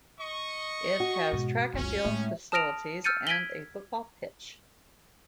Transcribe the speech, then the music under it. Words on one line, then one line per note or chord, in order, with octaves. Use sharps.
It has track and field facilities and a football pitch.
D#5 C#6
F#4
G#2 B2
F#1 C#2 C#4
A2 G#3
A5 D#6 F6 A#6 D7 F7
E6 F6 G6 A6 C#7 D#7
G#6 B6 D7 D#7 F#7 G7